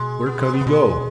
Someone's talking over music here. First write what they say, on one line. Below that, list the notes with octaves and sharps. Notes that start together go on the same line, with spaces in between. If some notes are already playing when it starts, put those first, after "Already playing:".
Where could he go?
Already playing: B2 G#3
B3
G#3
B3
C#3
B2 G#3